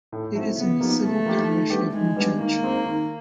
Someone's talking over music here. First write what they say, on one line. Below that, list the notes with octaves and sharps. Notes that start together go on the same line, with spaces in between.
It is in the civil parish of Newchurch.
A2
F#3 A3 C4 E4
C#3 B3
F3 A#3 D#4 G4
C#3 A3
F3 A#3 D#4 G4
D#3
G3 B3 D4 G4
D#3 G#3
G3 B3 D4 G4
D#3 A#3
G#3 C4 D#4
D#3